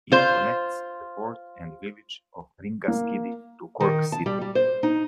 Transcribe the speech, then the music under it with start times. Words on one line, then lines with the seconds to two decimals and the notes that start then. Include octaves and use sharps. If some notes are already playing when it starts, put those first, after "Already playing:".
It connects the port and village of Ringaskiddy to Cork city.
0.12 F4 C5
2.88 A#3
3.80 D#3
4.12 A5
4.26 G3
4.41 G3
4.55 C5
4.83 D#4